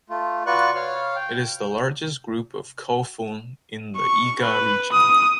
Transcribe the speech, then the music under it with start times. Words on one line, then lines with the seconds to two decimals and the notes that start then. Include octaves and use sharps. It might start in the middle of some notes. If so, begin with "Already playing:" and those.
It is the largest group of "kofun" in the Iga region.
0.10 A3 F4
0.46 F4 F#4 B4 D5 C#6 F#6
0.75 C#5 F5 F6
1.16 G5
3.97 C#6
4.42 B4
4.92 D#6